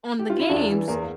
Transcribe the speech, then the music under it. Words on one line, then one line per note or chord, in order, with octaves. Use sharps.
on the games
G4
F4
E4
E2 D4
E3
E2 A#3